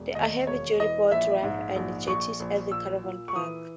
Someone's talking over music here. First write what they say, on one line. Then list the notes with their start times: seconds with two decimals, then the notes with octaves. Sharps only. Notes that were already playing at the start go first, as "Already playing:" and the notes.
There are heavy-duty boat ramps and jetties at the caravan park.
Already playing: E1
0.15 D#2 D#5
0.47 E1 C#5
0.79 E3 D#5
1.11 A#1 E5
1.43 G#2
1.76 A#1
2.07 A#1 C#6
2.40 A#1
2.71 A#2 E6
3.03 A#2
3.28 C#6
3.36 E3 D#6